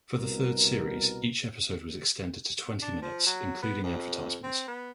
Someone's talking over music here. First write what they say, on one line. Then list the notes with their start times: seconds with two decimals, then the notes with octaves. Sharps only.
For the third series, each episode was extended to twenty minutes, including advertisements.
0.18 C2 B2 A#4
2.82 D4
3.02 F3
3.26 F#3
3.62 B3
3.84 F2
4.43 C4
4.68 B3